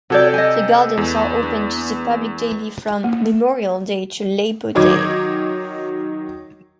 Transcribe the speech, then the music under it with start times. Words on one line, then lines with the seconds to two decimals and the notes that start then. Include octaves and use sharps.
The Gardens are open to the public daily from Memorial Day to Labor Day.
0.10 C3 F#4 A4 C#5 D5 G6
0.34 D#5 G#5
0.97 E2
1.43 D4
3.04 A#3
4.75 D#3 F#3 D#4 D6 G#6